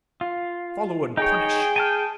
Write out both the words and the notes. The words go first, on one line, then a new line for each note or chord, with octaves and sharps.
"Follow and punish."
F4
D#4 G#4 C#5 G5
G#5 A5 F6